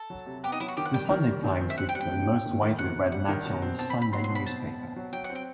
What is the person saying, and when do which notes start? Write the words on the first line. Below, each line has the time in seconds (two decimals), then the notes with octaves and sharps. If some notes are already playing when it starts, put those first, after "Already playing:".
The "Sunday Times" is the most widely read national Sunday newspaper.
Already playing: A4
0.10 F#3
0.26 C3
0.43 B3 G4
0.52 D#4
0.60 F#3 E4
0.68 F#4
0.77 D#3 G4
0.85 F#5
0.94 G3 G5
1.10 D#3
1.28 G3
1.44 D#3
1.61 C4
1.70 E5
1.78 C4 F#5
1.89 G5
1.94 G3 F#5
2.00 G5
2.12 C3
2.28 C3
2.45 D#3
2.62 D#3
2.78 C3 F#5
2.95 C3
3.12 G3 F#5
3.28 D#3
3.46 B2
3.62 C4
3.79 C4 A5
3.90 B5
3.96 C4
4.02 B5
4.12 F#3 C6
4.24 C6
4.29 B2
4.35 B5
4.46 C4 A5
4.63 B2
4.80 C4
4.96 F#3
5.13 F#3 G5
5.24 F#5
5.30 C4
5.35 G5